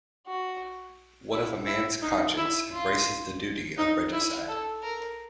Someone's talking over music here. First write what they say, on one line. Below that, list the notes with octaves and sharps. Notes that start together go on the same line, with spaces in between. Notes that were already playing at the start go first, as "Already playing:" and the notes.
What if a man's conscience embraces the duty of regicide?
F#4
E4
E4
D#4
E4
F4
D#4
E4
A4
A#4